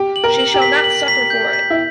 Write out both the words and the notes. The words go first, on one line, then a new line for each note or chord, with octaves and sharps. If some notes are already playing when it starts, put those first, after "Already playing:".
She shall not suffer for it!
Already playing: G4
F#7
A#4
F#7
G4
B6
F#7
B6
G6
B6
E4